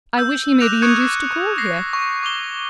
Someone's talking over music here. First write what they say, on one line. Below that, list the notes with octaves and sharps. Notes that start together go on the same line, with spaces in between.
I wish he may be induced to call here.
E6 G6
D6 E6 F#6 A#6 E7 F7
C#6 D#6 F#6 G#6 C#7
A#6 C7
C#6
D6 F7 G7